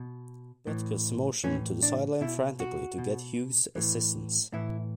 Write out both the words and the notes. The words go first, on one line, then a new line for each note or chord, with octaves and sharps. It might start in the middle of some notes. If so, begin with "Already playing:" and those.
Butkus motioned to the sideline frantically to get Hughes assistance.
Already playing: B2
A2 E3
A2 E3 C#4
D4
B2 E4
F#4
B2
A2 E3
A2 E3 E4